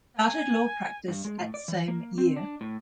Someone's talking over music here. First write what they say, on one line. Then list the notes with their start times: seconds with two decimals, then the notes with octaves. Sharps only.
Started law practice at same year.
0.20 G#5
1.08 G2
1.25 G#3
1.41 A2
1.54 D5
1.68 E3
1.88 A#3
2.18 C4
2.36 D4
2.61 A2